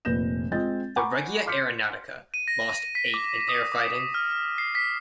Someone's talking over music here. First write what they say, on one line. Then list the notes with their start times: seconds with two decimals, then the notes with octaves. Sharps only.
The "Regia Aeronautica" lost eight in air fighting.
0.05 F1 A#2 B4 G6 A#6 E7
0.51 G#3 C4 F4 D#5 G6 A6
0.96 F#5 G#5 A#5 B5 C#6 D6
1.46 C6 D6 F6 G6 B6 C#7
2.34 D#7
2.48 A#6
2.95 B6
3.14 D6
3.48 D#6
3.72 D6
4.14 F6
4.58 C7
4.75 B6